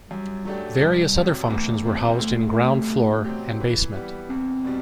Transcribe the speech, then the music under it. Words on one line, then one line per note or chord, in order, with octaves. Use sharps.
Various other functions were housed in ground floor and basement.
F#2 G3
F#3 A3 D4 G4
C2 G3
C3 F#3
E2 A3
C3 G3 C4
D2 A3
C3 G3
B2
F#3 C4 G4
E3
G3 B3
E2 C4
B2 G3